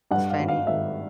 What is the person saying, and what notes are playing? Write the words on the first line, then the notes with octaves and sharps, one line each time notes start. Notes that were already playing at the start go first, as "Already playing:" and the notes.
it's funny.
G2 F#5
F5
G#1
F5
G#1 E5